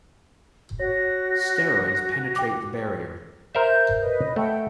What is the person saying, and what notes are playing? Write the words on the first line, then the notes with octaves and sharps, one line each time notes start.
Steroids penetrate the barrier.
F#4 C#5 A#6
G5 D6
A#4 C5 E5 G6
B4 D#5
A3 F#5 G5